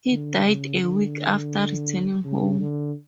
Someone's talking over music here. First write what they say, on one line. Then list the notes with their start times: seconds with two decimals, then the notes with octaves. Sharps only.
He died a week after returning home.
0.11 D3
0.47 C#3
0.83 D3
2.24 C#3
2.60 D3